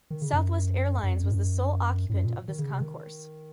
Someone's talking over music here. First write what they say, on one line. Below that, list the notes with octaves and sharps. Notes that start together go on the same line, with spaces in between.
Southwest Airlines was the sole occupant of this concourse.
D#3
C#3
F#2
F#2
F2
F#2
A2
F#2
A2
F#2
A#2
D#3
C#3
C3
D#3